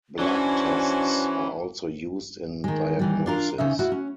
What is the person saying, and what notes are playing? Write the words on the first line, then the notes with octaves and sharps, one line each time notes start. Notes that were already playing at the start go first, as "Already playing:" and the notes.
Blood tests are also used in diagnosis.
E3 C#4 D4 F#4 C5 G#5
D#3 G#3
D#3 E3 G3
D4 F4 A#4
C#3 C#4 D#4 E5
E4 F#4
C#4